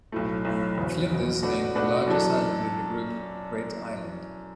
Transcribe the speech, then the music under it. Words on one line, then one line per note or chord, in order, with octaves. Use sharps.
Flinders named the largest island in the group "Great Island".
B1 A2 A3
B1 A2 A3
F#1 E2 B2
F#1 E2 B2
B2 A3 D4 F#4 B4
B2 A3 D4 F#4 B4
F#2 E3 D4 A4